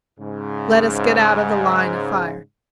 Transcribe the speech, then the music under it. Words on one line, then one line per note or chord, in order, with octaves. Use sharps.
"Let us get out of the line of fire."
G#2 C#3